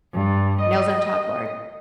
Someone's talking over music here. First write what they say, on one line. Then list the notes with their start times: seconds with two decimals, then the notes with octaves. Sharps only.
nails on a chalkboard,
0.14 G2
0.62 D#5